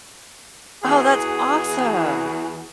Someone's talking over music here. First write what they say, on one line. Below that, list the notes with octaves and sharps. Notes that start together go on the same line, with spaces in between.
Oh, that's awesome.
E2 F#4 G#4